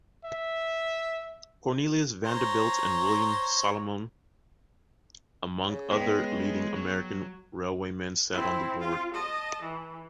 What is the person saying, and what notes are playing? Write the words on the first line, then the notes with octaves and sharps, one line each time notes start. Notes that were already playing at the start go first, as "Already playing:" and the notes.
Cornelius Vanderbilt and William Salomon, among other leading American railwaymen sat on the board.
E5
C5 C#5 A#5
C#3
G#3 B3 G5 B6
F#3
C4 E4
F4
D#5 A5
E3